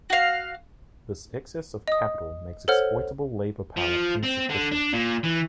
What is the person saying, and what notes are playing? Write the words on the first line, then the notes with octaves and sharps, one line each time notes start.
This excess of capital makes exploitable labor-power insufficient.
F#4 F5
D#5 D#6
A4 C5 C#5 F#5 F6
F3
C4
D3
D4
A#2
E3